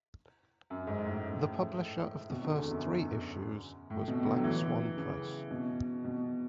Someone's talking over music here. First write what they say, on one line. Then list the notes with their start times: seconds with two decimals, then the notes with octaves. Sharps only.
The publisher of the first three issues was Black Swan Press.
0.70 F#2
0.87 G#2
1.05 A2
2.30 B2
2.44 D3
2.57 E2
2.71 F#2
3.90 A2
4.08 B2
4.25 D3
4.36 F#3
4.44 E3
4.97 C#3
5.51 B2
6.05 B2